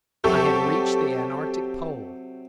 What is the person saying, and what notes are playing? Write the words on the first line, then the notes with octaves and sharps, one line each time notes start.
I had reached the antarctic pole.
C3 F#3 G4 A4 C#6